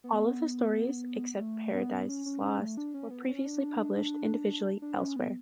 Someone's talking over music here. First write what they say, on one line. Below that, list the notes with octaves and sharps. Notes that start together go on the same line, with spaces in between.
All of the stories, except "Paradises Lost", were previously published individually elsewhere.
B3
A3
B3
C#4
C#4
C#4
A3
D4
C#4
B3
C#4
D4
D4
C#4
B3